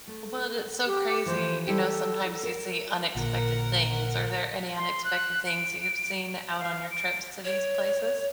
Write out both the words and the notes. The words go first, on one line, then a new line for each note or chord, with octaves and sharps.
well, that's so crazy, you know, sometimes you see unexpected things. Are there any unexpected things you've seen out on your trips to these places?
A3
G4
E3 F3 A3 C5
G3 E4 G4 A4
A#4
A1 A#2 D3 A#4 F#5
C6
F#6
D7
F5
D7
C#5